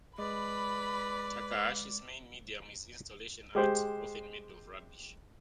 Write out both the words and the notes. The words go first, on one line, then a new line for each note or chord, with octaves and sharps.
Takahashi's main medium is installation art, often made of rubbish.
G#3 B4 D5 B5
G#3 G4 C5